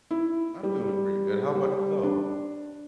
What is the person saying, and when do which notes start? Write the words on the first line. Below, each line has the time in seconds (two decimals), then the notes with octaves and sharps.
I'm doing pretty good, how about yourself?
0.11 E4
0.63 G3
1.55 G3
2.03 D4